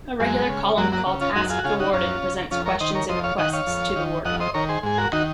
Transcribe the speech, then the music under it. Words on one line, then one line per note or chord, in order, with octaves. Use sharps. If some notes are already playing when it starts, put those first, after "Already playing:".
A regular column called "Ask the Warden" presents questions and requests to the warden.
F#2 G#3
C#3
F#2 F#3 A#3
F#3 A#3
C#3
C#4 F4
F#2 D#4 F#4
F4 G#4
F#4
C#3 F4 G#4
D#4 F#4
F#2 C#4 F4
C#3
F2 C#4 F4
A#4 C#5
D#3 C5 D#5
A#4 C#5
F2 C5 D#5
C#5 F5
D#3 D#5 F#5
C#5 F5
F2
D#3
F2 D#5 F#5
C5 D#5
D#3 A#4 C#5
G#4 C5
G#2 G#4
F#4 A#4
D#3 D#4 F#4